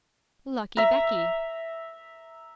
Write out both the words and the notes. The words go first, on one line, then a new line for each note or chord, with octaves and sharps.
'Lucky Becky!
E5 A#5